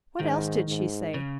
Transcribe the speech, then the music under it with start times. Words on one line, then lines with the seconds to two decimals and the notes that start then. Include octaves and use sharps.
"What else did she say?"
0.20 G#2 D#3
0.68 G#2
1.14 C#3